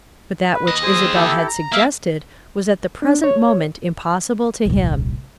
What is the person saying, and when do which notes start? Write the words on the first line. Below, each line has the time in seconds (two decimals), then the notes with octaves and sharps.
But that which Isabel had suggested was at the present moment impossible to him.
0.53 B4
0.68 D#2 D#5
0.83 G#4 C5 G#5
1.15 E4 G4 A4
1.47 A#5
1.72 A#3 E5 F5
3.02 D4
3.24 C#5
4.66 D#1 C2